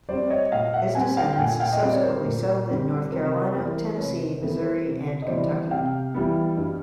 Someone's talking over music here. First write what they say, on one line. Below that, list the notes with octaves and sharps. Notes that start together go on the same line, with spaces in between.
His descendants subsequently settled in North Carolina, Tennessee, Missouri and Kentucky.
G3 C4 C5 D5
C#5 D#5
A#2 D#5 F5
E5 F#5
G3 C4 F#5 G#5
F5 G5
G5
A#2 F#5 G#5
F5 G5
D#5
G3 C4 D5
C#5
A#4 C5
A#2
G3 C4
C3 A#4 C5
E3 G3 B3 A#4 C5
C3 B4 C#5
A#4 C5
E3 G3 B3 A4 B4
A#4 C5
C3
D#5
E3 G3 B3 C5 D5
C3 F5 G5
E3 G3 B3
G2